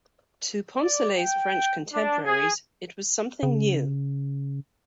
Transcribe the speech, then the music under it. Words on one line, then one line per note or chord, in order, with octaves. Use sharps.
To Poncelet's French contemporaries, it was something new.
D5
G5
D4
G#4
C#3